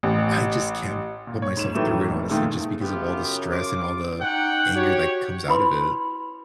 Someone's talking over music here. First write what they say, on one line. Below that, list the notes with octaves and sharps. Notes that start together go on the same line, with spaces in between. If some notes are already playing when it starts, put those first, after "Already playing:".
I just can't, put myself through it honestly, just because of all the stress and all the, anger that comes out of it.
A1
A#2
C#5
G#2 E7
A2 D#3 E3 F#3 A3
F1
A#2 D#3 G#3 A3
F#2 C#3 B3 F4 G4
F4 D6
C#4 D#4 F#5 G5
F#4 G4 C#5
E4 B4 B5 C6